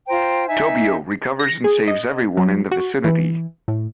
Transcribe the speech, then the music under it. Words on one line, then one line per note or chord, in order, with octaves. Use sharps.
Tobio recovers and saves everyone in the vicinity.
F4 C5 G5 A#5
D#4 E5 G#5
A#6
G#4
D#5
F#3
F#4
E3
A2